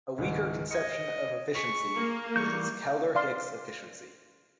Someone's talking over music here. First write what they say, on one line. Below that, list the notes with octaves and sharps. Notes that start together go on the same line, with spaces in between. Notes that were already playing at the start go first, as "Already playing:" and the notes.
A weaker conception of efficiency is Kaldor-Hicks efficiency.
C#2 G#2 D#3 E4
D#5 G#6 A#6 C#7
G#4 C#6 B6
A#3
E3 G3 C#6 G6
D5 F5 C6